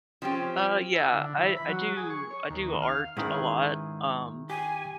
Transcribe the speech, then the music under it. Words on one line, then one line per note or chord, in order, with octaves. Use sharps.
Uh, yeah. I I do I do art a lot, um,
F3 C4 C#4 G4
E4
D3
E3
B5
F#3
G#4
C#6
C#5
D#2
F5
G#2 D#3 C#4 E4 G#4 B4
G4 G#5